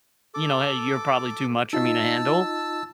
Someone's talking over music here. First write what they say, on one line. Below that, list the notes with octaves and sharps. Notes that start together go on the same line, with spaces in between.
you know, "Hey, you're probably too much for me to handle,"
A4 D6
D#4 F4 D#5 A5 E6